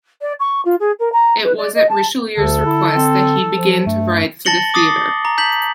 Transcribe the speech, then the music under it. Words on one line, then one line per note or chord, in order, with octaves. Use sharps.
It was at Richelieu's request that he began to write for the theatre.
D5
C#6
F4
G#4
A#4
A#5
B4
D5
D#5
A5
D2 D3 A4
E4
C4
F3
G2 A3
A5 A6 A#6 C#7 F#7 G7
D6 D#6 A6 C7
A#5
A5 G6 B6 F#7